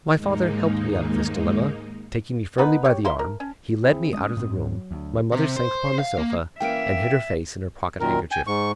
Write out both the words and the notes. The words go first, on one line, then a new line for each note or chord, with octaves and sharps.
My father helped me out of this dilemma; taking me firmly by the arm, he led me out of the room: my mother sank upon the sofa, and hid her face in her pocket-handkerchief.
D#2 G#2 G#3 A#3 D#4
B2 B3 D#4 B4
G4 C#5
A#3 E4 C6
A#4
C#4
C4 E4 G#4
G#3 A#3 C#4 D#6
G#2 C4
F#3
D2
C3
C5
F5
A#3
E3 A#3 C#4 E5 G5 D7
F#2 A#2 D#3 A#4
G5 G#5
G#2 C#6